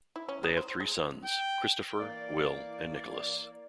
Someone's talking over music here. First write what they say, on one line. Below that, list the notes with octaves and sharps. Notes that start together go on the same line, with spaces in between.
They have three sons: Christopher, Will, and Nicholas.
E4
C#4
G#3
C5
G#3
G5
E3 A#3 D5